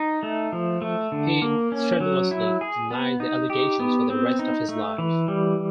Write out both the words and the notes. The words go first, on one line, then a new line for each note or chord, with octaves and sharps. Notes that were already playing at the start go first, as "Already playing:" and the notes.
He strenuously denied the allegations for the rest of his life.
Already playing: D#4
A3
F3
A3
D3
A#3
C#4
F#3
E4
G#4
B3
D#4
G4
B3
C4
D#4
A3
E3
G3